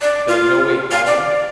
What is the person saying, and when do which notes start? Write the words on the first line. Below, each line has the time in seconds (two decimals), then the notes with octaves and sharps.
the No Way Home.
0.01 D5
0.28 F4
0.91 F5
1.06 D5